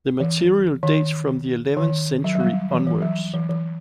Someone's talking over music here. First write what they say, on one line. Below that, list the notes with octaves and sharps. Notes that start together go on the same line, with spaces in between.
The material dates from the eleventh century onwards.
E3
D#3
D#3
F#3
F#3
G3
E3
E3
F#3
E3
E3